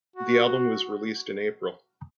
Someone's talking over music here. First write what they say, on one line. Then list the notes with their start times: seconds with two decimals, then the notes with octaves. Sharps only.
The album was released in April.
0.16 F#4
0.39 F#4